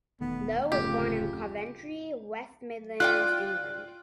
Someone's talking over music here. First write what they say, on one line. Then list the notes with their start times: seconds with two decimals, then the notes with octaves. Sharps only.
Lowe was born in Coventry, West Midlands, England.
0.21 E1 D#3 A3 B3
0.72 D1 F2 C#3 A3 C#4 G4
3.00 F4 D5 G5 F#6